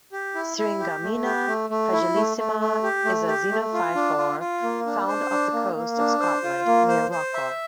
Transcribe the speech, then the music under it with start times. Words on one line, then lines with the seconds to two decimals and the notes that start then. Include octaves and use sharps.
Syringammina fragilissima is a xenophyophore found off the coast of Scotland, near Rockall.
0.12 G4
0.35 E4
0.57 E4
0.80 G4
1.03 A3
1.25 G4
1.47 A3
1.70 A3
1.93 E4
2.15 A3
2.37 A3
2.60 A3
2.83 G4
3.05 A3
3.28 G4
3.51 A3
3.73 F4
3.95 D4
4.18 F4
4.40 F4
4.62 A#3
4.86 D4
5.08 C5
5.30 D4
5.53 A#3
5.75 A#3
5.98 D4
6.20 C5
6.43 F4
6.66 A#3
6.88 C5
7.11 C5
7.34 E5